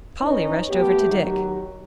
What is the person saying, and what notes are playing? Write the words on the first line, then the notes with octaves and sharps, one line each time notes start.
Polly rushed over to Dick.
C#4 D#4 B4 C#5 D#5
A3 B3 G4
D#3 F#3 F#4 G4